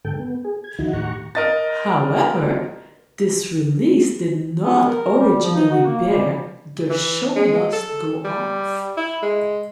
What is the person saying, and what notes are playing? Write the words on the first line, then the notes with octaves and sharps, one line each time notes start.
However, this release did not originally bear the Show Must Go Off!
G#2 D3 A4 G5
B3
G#4
G#6
D#2 D#3 F3 D#4 E4 F#4
A2 D#3 G4 F#5 A#5 C#6
A#4 D#5 A6
B3
A#4
G3
F3
D#4
F#4
A#3
G3
E3
G#3
A4
G3
E4
G#3